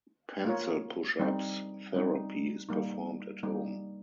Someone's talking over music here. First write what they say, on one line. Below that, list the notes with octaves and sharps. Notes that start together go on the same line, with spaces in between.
Pencil push-ups therapy is performed at home.
A#3 F4 A#4 C#5
G3 C4 D#4
G3 C4 D#4
G3 A#3 D#4
G3 A#3 D#4